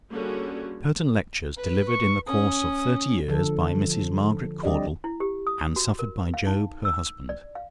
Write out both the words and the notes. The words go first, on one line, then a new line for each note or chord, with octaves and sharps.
"Curtain Lectures delivered in the course of Thirty Years by Mrs. Margaret Caudle, and suffered by Job, her Husband."
D3 G3 A#3 C#4 F#4 G#4
B4
C#6
C#4 D#6
D3 F3 A4
F3
G3 C4 D4 G4 D5 D#5
E4
G4
D#6
F#4
A#4
F5
D#4
E6
D5
F5